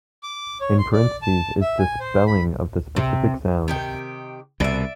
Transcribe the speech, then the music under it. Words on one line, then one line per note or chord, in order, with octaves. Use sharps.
In parentheses is the spelling of the specific sound.
D6
C#5
C6
D5
A5
E5
G#5
C5
B5
C3
C3 D#3 G4
C2 B2 D5 E5